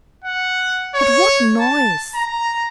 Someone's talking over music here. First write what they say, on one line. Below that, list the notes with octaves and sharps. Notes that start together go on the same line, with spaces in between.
But what noise!
F#5
C#5
A5
A#5